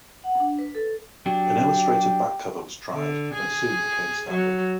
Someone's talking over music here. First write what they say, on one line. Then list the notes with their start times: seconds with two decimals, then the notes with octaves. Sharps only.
An illustrated back cover was tried, and soon became standard.
0.24 F#5
0.40 D4
0.59 B4
0.75 A4
1.26 F#3 D4 G4
2.92 D3
3.34 G#4
4.30 F#3